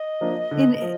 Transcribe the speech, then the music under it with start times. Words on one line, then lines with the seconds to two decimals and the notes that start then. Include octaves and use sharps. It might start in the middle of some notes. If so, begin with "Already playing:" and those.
In, eh
Already playing: D#5
0.21 F3 A#3 D4
0.51 D3
0.82 F3